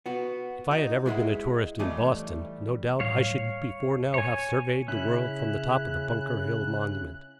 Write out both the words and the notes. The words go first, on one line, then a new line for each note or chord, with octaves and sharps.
If I had ever been a tourist in Boston, no doubt I should before now have surveyed the world from the top of the Bunker Hill monument.
B3 F#4
D#4 F#4
G#3 E4 C5 F#5
E3 G3 A3 D#4
D1 A2 G3 C#5 F5
C#5 G#5
C#3 C#4 E4 F#6